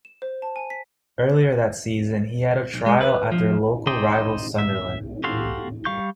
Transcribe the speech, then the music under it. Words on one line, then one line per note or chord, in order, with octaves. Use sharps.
Earlier that season, he had a trial at their local rivals Sunderland.
E7
C5
A5
G#5
B6
B1
G#3
B4
F3
D#4 C5 D5 D#5 G5
E5
F#4 G4 A4 F5 C6
G3 F5 C#6 G6